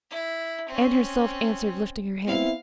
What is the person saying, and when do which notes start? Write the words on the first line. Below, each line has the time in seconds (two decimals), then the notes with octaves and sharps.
Anne herself answered, lifting her head.
0.11 E4
0.68 C4 C#4
2.27 B3 C4 E4 F5